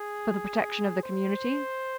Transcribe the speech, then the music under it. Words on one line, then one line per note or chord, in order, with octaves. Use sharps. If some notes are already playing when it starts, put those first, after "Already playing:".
"For the protection of the community?"
Already playing: G#4
C5